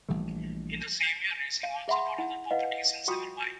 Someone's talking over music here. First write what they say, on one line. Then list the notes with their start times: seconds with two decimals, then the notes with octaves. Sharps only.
In the same year Raysing also bought other properties in Sewerby.
0.09 A#1 E3 G3 A3
1.63 F5
1.88 G#4 E5 F#5 B5 C6
2.18 E4 F#5
2.51 E4 B4 D#5 F5 F#5
3.08 F4 F#4 G5 C#6 D#6